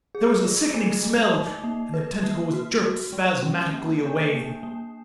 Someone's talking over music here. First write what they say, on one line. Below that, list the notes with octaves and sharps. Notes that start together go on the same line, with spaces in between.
There was a sickening smell--and the tentacle was jerked spasmodically away.
G#4
F4
A3
A3
D#4
A#3
B4
A#3
F#4
F#4
G#3
C#4
A#3
D4
A#3
A#3